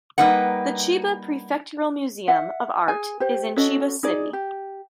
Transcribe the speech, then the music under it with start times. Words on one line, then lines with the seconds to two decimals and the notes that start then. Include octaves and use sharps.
The Chiba Prefectural Museum of Art is in Chiba City.
0.18 G3 A#3 D#4 B4 F#5
2.28 E5 F#5
2.88 G#4 G#5
3.20 G4 C5
3.57 C#4 F#4 A4 D#5
4.03 D#4 G#4 D5
4.33 G4